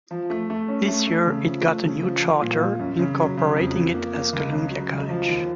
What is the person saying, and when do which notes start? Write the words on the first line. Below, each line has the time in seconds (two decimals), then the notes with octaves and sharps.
This year it got a new charter, incorporating it as Columbia College.
0.11 F3
0.30 A3
0.50 A3
0.68 C#4
0.88 A3
1.07 A3
1.26 C#3
1.45 F3
1.64 A3
1.84 C#3
2.03 F3
2.22 F3
2.41 A#2
2.60 A#2
2.79 F#2
2.99 C#3
3.18 F#3
3.37 C#3
3.56 F2
3.75 F2
3.94 A#3
4.14 A#3
4.33 C#2
4.52 C#3
4.71 F#3
4.91 C#2
5.10 F3
5.28 D#2